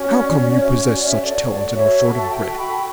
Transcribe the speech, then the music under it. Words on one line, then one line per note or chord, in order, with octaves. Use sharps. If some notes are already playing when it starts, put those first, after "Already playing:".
How come you possess such talent and are short of bread.
Already playing: C#4 F#4
D5
D5
C#5 E5
C#5
D5
C#5 E5
F#4 A4 C#5 D5
C#5
D5
D5
C#5 E5
A5
E5 G5
G5 B5